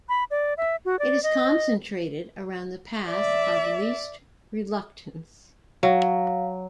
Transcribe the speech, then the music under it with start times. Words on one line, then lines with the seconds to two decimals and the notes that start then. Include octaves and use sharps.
It is concentrated around the path of least reluctance.
0.09 B5
0.31 D5
0.57 E5
0.85 F#4
0.99 D5
1.23 D#5
3.09 D5 E5
5.83 F#3 F5